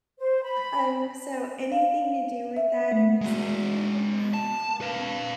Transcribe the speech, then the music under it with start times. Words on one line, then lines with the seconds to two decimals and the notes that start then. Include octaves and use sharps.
um, so anything to do with that, I'm just, like, "Ooh, wow," and
0.19 C5
0.43 B5
1.72 F5
2.57 E5
2.92 A3
3.21 G#3 F#4
4.34 A5
4.81 B4 F5